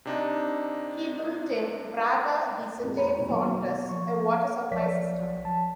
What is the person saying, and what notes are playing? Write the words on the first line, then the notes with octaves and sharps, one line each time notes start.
He built in Braga the Sete Fontes a water supply system.
C3 D4 D#4
F2 A#2 G#3
C5 A#5 B5
E1 A#1 B2 D#4 C#5
B2 D#3 F#3
F#3
F3 A#3 C#6
B1 F3 C#5 D5 B6
F3 A5